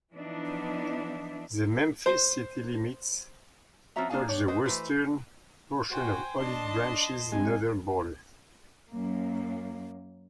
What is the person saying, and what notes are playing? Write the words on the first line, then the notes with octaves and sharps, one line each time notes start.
The Memphis city limits touch the western portion of Olive Branch's northern border.
E3 F3 B3 D4 D#4 E5
C5
F3 C4 C#4 F#4 E5 A#5
A#3 D4 F4 G#4 F5 G#5
D4 G4 C#5
F#4 B4 C5 D#5
E3 F3 A3 B4 C5
F#4 C5 G5 G#5
D4 D#5 A5 C6
C3 G#3 G#5
F#2 A#3